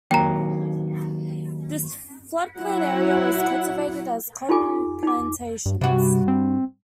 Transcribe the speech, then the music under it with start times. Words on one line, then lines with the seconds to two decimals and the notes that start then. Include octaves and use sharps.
This floodplain area was cultivated as cotton plantations.
0.11 D#2 F#3 A#3 G5 A#5
2.58 F#3 E4 F#5
4.49 D#4 F4 G4 A4 G#5 D6
5.03 D#4 D6
5.66 G2
5.81 G2 C3 F#4
6.28 C4